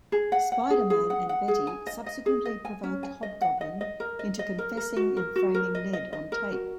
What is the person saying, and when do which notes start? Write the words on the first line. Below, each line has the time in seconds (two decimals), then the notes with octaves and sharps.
Spider-Man and Betty subsequently provoked Hobgoblin into confessing in framing Ned on tape.
0.12 G#4
0.32 F#5
0.52 F#5
0.70 G#4
0.90 G#4
1.10 F#5
1.29 F#5
1.48 G#4
1.67 G#5
1.87 D#5
2.06 D#5
2.26 G#4
2.45 D#5
2.65 G#5
2.83 C#4
3.03 G#5
3.23 D#5
3.41 F#5
3.61 D#5
3.81 D#5
4.00 A#4
4.19 D#5
4.39 D#5
4.58 A#4
4.77 A#4
4.96 F#4
5.17 A#4
5.36 F#4
5.54 A#4
5.75 D#5
5.93 D#5
6.13 D#5
6.32 A#4
6.52 F#4